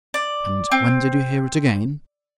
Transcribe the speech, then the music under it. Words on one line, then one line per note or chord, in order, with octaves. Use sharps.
"And when did you hear it again?"
D5
C4